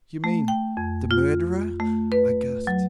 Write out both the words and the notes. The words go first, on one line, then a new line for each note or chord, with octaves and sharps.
"You mean--the murderer?" I gasped.
A3
G5
F2
F4
A3
B4
F#3